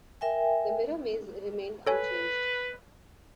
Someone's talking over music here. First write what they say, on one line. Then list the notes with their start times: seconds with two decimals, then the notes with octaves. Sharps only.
The Mirror Maze remained unchanged.
0.21 A#4 E5 G5 G#5
1.87 A4 B4 C#5 G#5